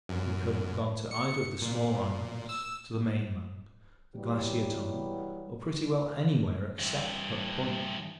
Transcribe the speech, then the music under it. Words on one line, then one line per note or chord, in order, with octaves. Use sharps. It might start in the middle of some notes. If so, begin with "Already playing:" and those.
We could have gone to either of the small islands, to the mainland, the Glacier Tongue, or pretty well anywhere except Hut Point.
F#2
C#7
A#2
E6
E3 F#3 G3 B3 G4
G2 E3